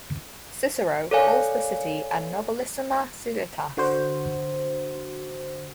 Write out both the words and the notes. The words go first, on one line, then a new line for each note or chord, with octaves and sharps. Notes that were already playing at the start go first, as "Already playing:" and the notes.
Cicero calls the city a "nobilissima civitas".
A4 A#4 C#5 D5 F5 G#5
D3 F#4 C5